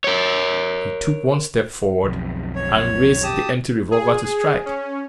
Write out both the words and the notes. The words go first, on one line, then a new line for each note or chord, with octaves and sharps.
He took one step forward and raised the empty revolver to strike.
A#4 C#5
B1 F2
C#5
G4 A5 D#6
G#4
C#4